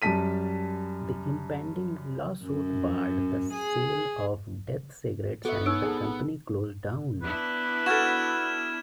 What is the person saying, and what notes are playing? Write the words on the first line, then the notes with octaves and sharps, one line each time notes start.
The impending lawsuit barred the sale of Death cigarettes and the company closed down.
F#2 G3 A5 B6 D#7
F#2
G#4
B3 F#4 A4 E5
D#4 C#5 E6 D7
G#4 A4
B3 D4 E4 B4
F#4 A4 F6 G#6 E7